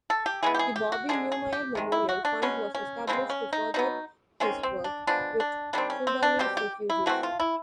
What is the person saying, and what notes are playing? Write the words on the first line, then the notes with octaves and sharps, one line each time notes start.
The Bobby Newmyer Memorial Fund was established to further his work with Sudanese refugees.
A4
G4
E3 G#3 B3 G#4
G4
G#4
G4
F#4
D3 F3 G#3 G#4
G#4
G4
C3 D#3 G#3
E4
F#4
D4
B2 G#3 B3 C#4
C#4
E3 G#3 B3 C4
C#3
C#4
D#4
B2 F#3 B3 D#4
D#3 G#3 C4 C#4
C4
D4
F3 G#3 B3 D4
D4
D#3 G3 C4 D4
C#4
C4
D4
B2 G3 C4 G4
G4
E4
E3 A3 C4 F#4
F4
E4